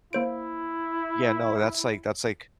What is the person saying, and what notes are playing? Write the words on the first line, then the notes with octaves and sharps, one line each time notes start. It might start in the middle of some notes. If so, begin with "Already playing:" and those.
Yeah, no, that's, like that's, like,
A#3 E4 C5 D7